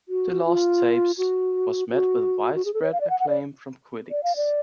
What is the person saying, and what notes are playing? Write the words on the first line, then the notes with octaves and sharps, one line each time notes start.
"The Lost Tapes" was met with widespread acclaim from critics.
F#4
F4
F#4
F#4
F#4
G#4
A4
C#5
F5
D5
F#5
F#5
D5
D5
F5
D5